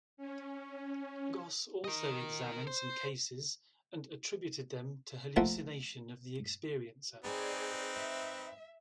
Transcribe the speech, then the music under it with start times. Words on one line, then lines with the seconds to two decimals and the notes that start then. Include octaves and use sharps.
Goss also examined some cases and attributed them to hallucination of the experiencer.
0.17 C#4
1.84 A#4 D#5
2.67 C5
5.36 F3 A3 A#3 F4 E5 F#5
7.24 C4 D#4 G#4 B4 D5
7.96 E5